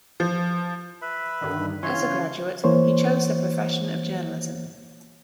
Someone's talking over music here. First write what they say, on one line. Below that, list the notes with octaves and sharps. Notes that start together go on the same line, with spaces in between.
As a graduate he chose the profession of journalism.
F3
B4 E5 B5
G2 D3 D#3
C#3 E3 C#4 F4 C#5 C6
E3 A#3 C5 C#5